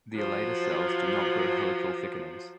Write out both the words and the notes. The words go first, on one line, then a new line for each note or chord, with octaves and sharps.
The elater cells do not grow helical thickenings.
F3 F#3